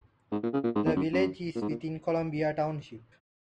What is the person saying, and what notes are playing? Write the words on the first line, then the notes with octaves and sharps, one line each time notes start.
The village is within Columbia Township.
G#2
A#2
C#3
A#2
G#2
E2
F#2
F#2
A#2
G#2
A#2